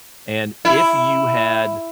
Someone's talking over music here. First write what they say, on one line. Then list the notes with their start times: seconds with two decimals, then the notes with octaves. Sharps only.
And if you had
0.65 E4